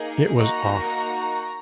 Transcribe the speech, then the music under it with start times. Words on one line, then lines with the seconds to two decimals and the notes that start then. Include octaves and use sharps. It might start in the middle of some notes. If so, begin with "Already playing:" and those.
It was off.
Already playing: A#3 D#4 G#4
0.37 A#3 D#4 F#4 A#5